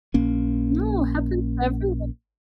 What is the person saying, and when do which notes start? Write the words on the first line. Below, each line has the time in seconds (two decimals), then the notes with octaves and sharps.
No, happens to everyone.
0.14 A#1 A#3 C#4